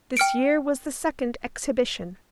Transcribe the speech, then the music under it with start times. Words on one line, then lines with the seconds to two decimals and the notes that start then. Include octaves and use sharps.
This year was the second Exhibition.
0.17 G5 F6 C#7 D7